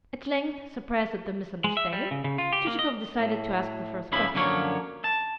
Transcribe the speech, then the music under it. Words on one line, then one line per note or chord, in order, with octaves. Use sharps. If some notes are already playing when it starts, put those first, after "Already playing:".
At length, surprised at the misunderstanding, Chichikov decided to ask the first question.
G#3
E5
G3
C#3
C#3
F4
G4
A#3
D#5
A2
C#2 G#2 C#3 F3 E4 B5
F#2 D3 F3 A#3 C#5
A5